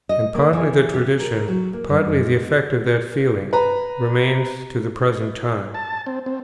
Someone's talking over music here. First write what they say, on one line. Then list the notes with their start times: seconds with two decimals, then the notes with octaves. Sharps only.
And partly the tradition, partly the effect of that feeling, remains to the present time.
0.09 D#5
0.35 A#3
0.53 E3
0.94 G4
1.19 A#4
1.48 F#3
1.73 A#3
1.89 G2
2.08 F#2
2.23 G#3
3.53 B4 A#5
5.74 A5
6.06 C4
6.26 C4